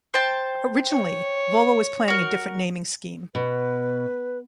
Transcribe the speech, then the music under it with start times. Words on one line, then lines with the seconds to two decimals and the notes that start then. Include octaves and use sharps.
Originally, Volvo was planning a different naming scheme.
0.14 C5 G5 A5
0.91 C#5
2.08 F#4 A#4
3.35 B2 B4